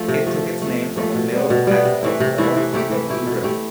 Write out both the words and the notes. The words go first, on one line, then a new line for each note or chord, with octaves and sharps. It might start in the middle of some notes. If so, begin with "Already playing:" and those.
It took its name from a mill at a ford on the Blue River.
Already playing: F3 A3
C3
F3 A3
C3
F3 A3
C3
F3 A3
B2
G3 B3
B2
G3 B3
C3
E3 A3 E4
C3
E3 A3 E4
E3
A3 E4 G4
E3
A3 E4 G4
B2
A3 E4 G4